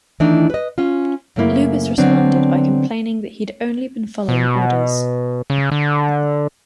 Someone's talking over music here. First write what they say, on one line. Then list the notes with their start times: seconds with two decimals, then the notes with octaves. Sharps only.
Lubis responded by complaining that he had only been following orders.
0.20 D#3 E3 A3 D4 D#4
0.50 B4 D#5
0.78 C#4 F4
1.36 F#2 C#3 A3 A#3 E4
1.98 D3 F#3 B3 C4 D4
4.28 B2
5.50 C#3
5.72 D3